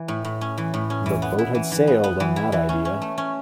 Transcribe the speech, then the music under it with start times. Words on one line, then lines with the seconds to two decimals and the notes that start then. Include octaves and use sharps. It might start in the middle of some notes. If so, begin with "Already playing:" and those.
The boat had sailed on that idea.
Already playing: E3
0.08 A2
0.25 A2
0.41 C#4
0.58 E3
0.74 A2
0.90 C#4
1.06 E3
1.22 B3
1.38 E4
1.55 E3
1.71 E3
1.87 B3
2.04 B3
2.20 E3
2.36 E4
2.52 E3
2.69 C#4
2.85 C#4
3.02 A3
3.18 C#4